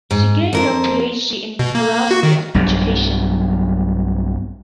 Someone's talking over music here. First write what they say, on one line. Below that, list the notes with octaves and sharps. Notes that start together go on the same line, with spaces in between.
She gained her PhD in philosophy of education.
G#2
F2 A#4 C5
B2
A#3
A#3
F#4
D#3
B1 G2 B2 F#3